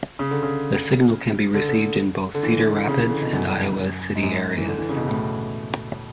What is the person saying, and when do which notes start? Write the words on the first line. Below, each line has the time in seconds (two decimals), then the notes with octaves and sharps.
The signal can be received in both the Cedar Rapids and Iowa City areas.
0.19 C#3
0.31 D3
0.43 C#3
1.54 D3
1.69 D3
2.35 D3
2.43 E3
2.59 D3
2.73 D3
2.88 C#3
2.99 E3
3.11 D3
3.22 B2
3.33 F#2
4.16 G#2
4.23 F#2
4.58 E3
4.68 D3
4.78 E3
4.89 C#3
4.96 B2
5.01 C#3
5.07 A2
5.12 B2